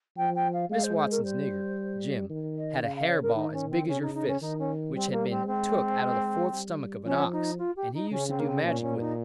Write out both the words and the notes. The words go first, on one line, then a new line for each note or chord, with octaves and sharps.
Miss Watson's nigger, Jim, had a hair-ball as big as your fist, which had been took out of the fourth stomach of an ox, and he used to do magic with it.
F3 G5
G5
F5
G#3 F5
C5
C5
A#4
G3 C5
D#3
D#5
C#3 F5
F5
C#5
A#4
D#3 D#4
C#4
C4
C#3 C#4
D#4
D#4
C#4
D#3 D#4
C#4
G3 C4
A#3
C4
G#3 C4
G3
F3 C#4
D#4
F4
G4
D#4
C#3 C#4
C4
A#3
C4
A#2 C#4
C#4
D#4